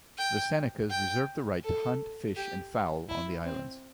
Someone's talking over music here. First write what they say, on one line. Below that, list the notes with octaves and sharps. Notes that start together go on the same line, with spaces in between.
The Senecas reserved the right to hunt, fish and fowl on the islands.
G5
G5
A4
G4
E4
C4